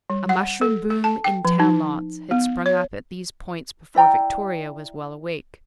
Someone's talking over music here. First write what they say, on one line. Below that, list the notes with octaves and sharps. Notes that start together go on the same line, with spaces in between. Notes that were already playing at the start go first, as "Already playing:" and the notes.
A mushroom boom in town lots had sprung up at these points before Victoria was well awake.
G3
F#5
A4
A4
A5
G5
F3
D#4
B3
C#5
E4 D5 G5 A#5